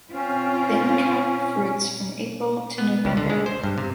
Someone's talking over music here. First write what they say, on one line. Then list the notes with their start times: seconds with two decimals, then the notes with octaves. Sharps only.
The ink cap fruits from April to November.
0.12 C4 C#4 F4
2.78 B3
3.05 C#2
3.17 D3
3.30 G#3
3.46 C5
3.64 G2
3.78 C3